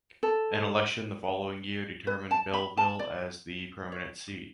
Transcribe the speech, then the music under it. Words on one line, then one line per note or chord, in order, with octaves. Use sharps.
An election the following year determined Belleville as the permanent seat.
A4
B4
A5
B5
A5
D5
C#5